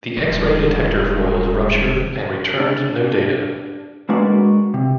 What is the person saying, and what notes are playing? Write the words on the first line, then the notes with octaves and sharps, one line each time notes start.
The X-Ray detector foils ruptured and returned no data.
E1 G#2 G3
D4
G#3 A#3 D4 F#4 B4 D5
C3